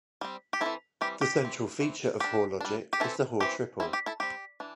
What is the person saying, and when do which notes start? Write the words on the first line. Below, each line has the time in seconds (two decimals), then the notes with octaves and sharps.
The central feature of Hoare logic is the Hoare triple.
0.21 G3 C4
0.53 G4
0.61 G3 C4 E4 A4
0.66 E3
1.01 E3 G3 C4 G4
1.21 G4
1.41 E3 C4
1.80 E3 C4
2.20 G3 D4 G4
2.61 G3 D4
2.93 G4
3.00 E3 C4 E4 A4
3.40 E3 C4 G4
3.80 C4 E4
3.82 G3
3.93 G4
4.06 E4 A4
4.20 G3 C4 G4
4.60 E3 D4